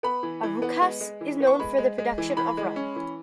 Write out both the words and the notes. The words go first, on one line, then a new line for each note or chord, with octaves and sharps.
Arucas is known for the production of rum.
B3 B5
E3
E3
B3
G#3
G#3
E3
B3
C#6
G#3 B5
G#3
G#3
E3
E3 B5
G#3
C#4
E3